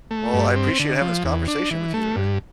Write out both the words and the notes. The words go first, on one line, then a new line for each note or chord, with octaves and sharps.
Well, I appreciate having this conversation with you today.
A3
G2
C4
D3
F3
E2
D4
E3
A3
G2